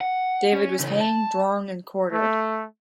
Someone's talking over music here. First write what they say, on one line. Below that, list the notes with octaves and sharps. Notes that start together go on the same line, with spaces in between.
David was hanged, drawn and quartered.
F#5
C#4
C#3 E3
A5
A3